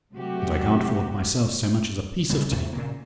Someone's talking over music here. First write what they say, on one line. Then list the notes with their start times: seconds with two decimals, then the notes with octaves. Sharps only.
And I can't afford myself so much as a piece of tape!
0.13 C3 F#3 A3 F#4 G4
2.30 C#3 G3 B3
2.51 G#2 C3
2.73 A#2 C#3 A#3